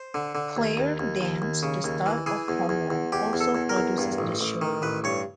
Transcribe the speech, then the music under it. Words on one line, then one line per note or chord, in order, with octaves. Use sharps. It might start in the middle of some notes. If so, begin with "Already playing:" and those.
Claire Danes, the star of "Homeland", also produces the show.
Already playing: C5
D3
D3
D#2
D#2
D#2
D#2
D#2
C#3
D#2
E3
E3 G#4
E2
E2
E2
E2 G4
E2
A4
E2
A#4
E2
G2
A1
A1
D#3
A1 B4
G2 C#5